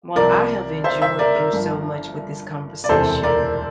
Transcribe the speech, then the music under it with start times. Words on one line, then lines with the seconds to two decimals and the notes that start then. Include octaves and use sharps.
Well, I have enjoyed you so much with this conversation.
0.16 C2 C3 F3 A#4 D5
0.84 C5 E5
1.02 C5 E5
1.19 A#4 D5
1.36 A#4
1.53 G1 G2 D3 F3
2.84 D5
2.89 E1 D2 C3 E3 A4 C5
3.23 A#4 D5